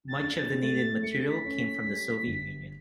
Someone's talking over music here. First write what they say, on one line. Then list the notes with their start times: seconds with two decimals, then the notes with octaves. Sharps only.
Much of the needed material came from the Soviet Union.
0.08 A6
0.22 D4
0.36 A6
0.63 A3 A6
1.03 A3 C#7
1.12 B6
1.19 A6
1.28 B6
1.45 C#4
1.86 G3
2.26 G1